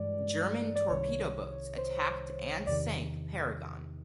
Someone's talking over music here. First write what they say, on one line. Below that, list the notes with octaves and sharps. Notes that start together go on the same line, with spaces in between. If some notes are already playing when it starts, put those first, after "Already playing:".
German torpedo boats attacked and sank "Paragon".
Already playing: G2 E3 G#3 D5
D5
C2 C3 D#3 C#5
C5
E2 C3 D#3 D5